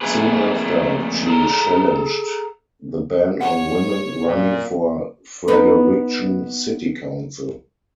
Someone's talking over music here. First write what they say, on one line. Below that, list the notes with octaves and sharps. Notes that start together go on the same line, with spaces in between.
Soon after, she challenged the ban on women running for Fredericton City Council.
F2 C3 A3 A#3 G#4 B4
G#4 A4 A#5
C#5 F#5
A#2
B3 D#4 B4